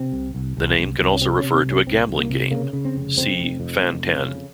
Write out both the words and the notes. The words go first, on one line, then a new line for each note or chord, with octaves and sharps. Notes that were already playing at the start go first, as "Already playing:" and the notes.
The name can also refer to a gambling game, see Fan-Tan.
Already playing: C3 C4
C2
C2
C2
C2
C2
C#4
C3 C4
C#4
C3
C4
C2 C#4
C2 C4
C2
A#3
C3
C#3 A#3
C#3
C4
F1
F2 C4
F1
F2
F1
F2
C#3